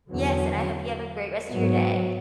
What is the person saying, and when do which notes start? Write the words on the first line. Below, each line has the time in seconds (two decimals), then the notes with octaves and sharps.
yes, and I hope you have a great rest of your day.
0.10 E2 D3 F#3
1.50 G#2 F#3 B3